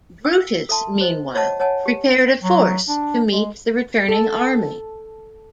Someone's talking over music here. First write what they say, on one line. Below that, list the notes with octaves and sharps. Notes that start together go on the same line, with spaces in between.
Brutus, meanwhile, prepared a force to meet the returning army.
G5 E6
A4 E5 A5 C6
C5 D#5
F4 C#5 D#5 F#5 A5
C#5 D#5 F#5 G#5 A5
G4
F#3
D4
G#3
A4